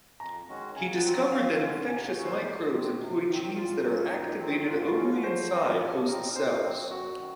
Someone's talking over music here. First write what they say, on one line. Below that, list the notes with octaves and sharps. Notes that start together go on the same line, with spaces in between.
He discovered that infectious microbes employ genes that are activated only inside host cells.
F2 A#5
D#3 G#3 C#4 F#4
C#3 G#5
F#5
F#3 C4 F4 A#4
D#3 F5
F5
G#3 C#4
F#5
C3 G#5
C#5
F#3 C#4 F#4
C5
F#2
D#3 G#3
C3
D#3 F#3 C4
A#2 F4
F#3 C#4
F#2 D#4
D#3 F#3 C4
G#2 F4
F4
F#4
F3 G#3 C#4
C#5
F3 C5
C4 F#4 A#4
F3 C#5
C4 D#4 A#4
A#2 C5
F#3 C4
F#2 F#4
D#3